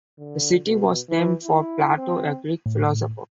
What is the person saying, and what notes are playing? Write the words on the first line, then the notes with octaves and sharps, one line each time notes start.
The city was named for Plato, a Greek philosopher.
D3
B2
E3
E4
C4
A2